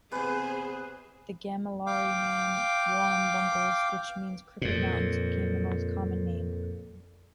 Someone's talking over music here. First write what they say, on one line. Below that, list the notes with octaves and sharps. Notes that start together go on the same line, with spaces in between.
The Gamilaroi name Warrumbungles which means 'crooked mountains' became the most common name.
E2 C3 G#4 B4 C5 G#5
F5 G5 D6
F2 A#2